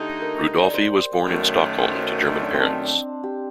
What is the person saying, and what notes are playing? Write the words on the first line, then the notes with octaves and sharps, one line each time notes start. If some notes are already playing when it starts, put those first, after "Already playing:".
Rudolphi was born in Stockholm to German parents.
Already playing: D3 A3 D#4 G4 A4
A#4
D5
C5
F#2 D#3 F#3 A3
C5
D#4
D4
C4
D4
D4
G4